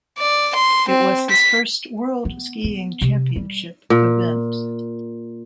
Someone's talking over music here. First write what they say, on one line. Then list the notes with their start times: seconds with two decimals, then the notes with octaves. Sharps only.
It was his first World Skiing Championship event.
0.19 D5
0.55 C6
0.88 C4
1.30 B6
2.25 B3
2.64 B3
3.01 C3
3.36 G3
3.90 A#2